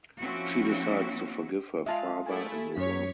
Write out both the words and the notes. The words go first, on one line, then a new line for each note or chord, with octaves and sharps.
She decides to forgive her father and move on.
F3 A#3 C4 C#4 E4 F#4
G#3 F4 E5 F5 A5
A3 E4 G#5
F#2 C#5 B6